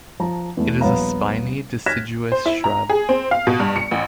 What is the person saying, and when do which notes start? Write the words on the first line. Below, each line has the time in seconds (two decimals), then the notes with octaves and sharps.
It is a spiny deciduous shrub.
0.20 F3 A5 A#5
0.57 E2 A3
0.81 D#1 A#1 B3 C#5 F5 A#5
1.86 F6 F#6 G#6 A#6 B6 E7
2.32 C5
2.46 E4
2.64 A#5
2.90 G#4
3.09 C4
3.31 F5
3.47 B2
3.60 G2
3.76 C#7
3.91 A1